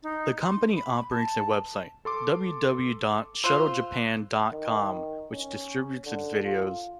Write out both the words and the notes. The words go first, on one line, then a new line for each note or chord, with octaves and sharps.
The company operates a website, www dot shuttle-japan dot com, which distributes its videos.
D#4
C6
B5
A5
A4 C6 D6
F4 C5 E6 F#6
D#3
C#4
D3
F4